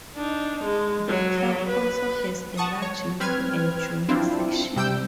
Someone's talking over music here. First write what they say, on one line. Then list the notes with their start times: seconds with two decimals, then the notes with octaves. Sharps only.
The club also has a large mini and junior section.
0.16 D4 D#4
0.64 G#3
1.08 F#3
1.69 B4
2.57 F#5 A5 C#6 D#6
2.82 C#5
3.20 C4 B4 F6 G#6
4.09 C4 D4 E4 F4
4.76 C3 G3 G5 E6 G6